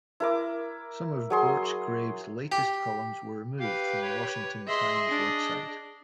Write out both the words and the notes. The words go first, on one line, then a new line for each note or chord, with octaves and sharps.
Some of Borchgrave's latest columns were removed from the "Washington Times" website.
E4 A#4 D6
F#3 G#4 C6
G4
G4 B4 F5
C#5
G#4 D#5 E5 C6
D4